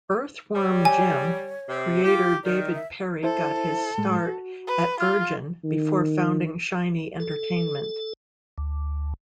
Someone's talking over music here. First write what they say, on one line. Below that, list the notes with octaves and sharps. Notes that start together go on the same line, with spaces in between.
"Earthworm Jim" creator David Perry got his start at Virgin before founding Shiny Entertainment.
G3 C#5
G#5
C3
F4 G4
D#3 D5
E5
E4 A4 C5 E5
A2 G#3
F#4
B4
F4 F6
D#3
A4
D2